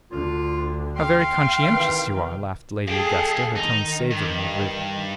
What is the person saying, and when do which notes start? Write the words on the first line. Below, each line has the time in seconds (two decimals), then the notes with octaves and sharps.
"How very conscientious you are!" laughed Lady Augusta, her tone savouring of ridicule.
0.12 D2 D3 F4
0.96 F5 G5 C6
1.63 C3 D#3 E3
2.88 G#4 A4 F5 G5
3.56 D#3 D#4
4.11 G2